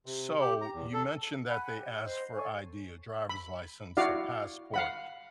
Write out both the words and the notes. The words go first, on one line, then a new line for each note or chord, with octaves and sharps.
so you mentioned that they asked for ID, a driver's license, a passport.
C3
G4
A#5
E2
A4
F#5 G#5 B5 F#6
G4
C5 D#5
A4 C#5 G#5 C#6
B5
E4 F#4 D5 F5
F5 F#5 B5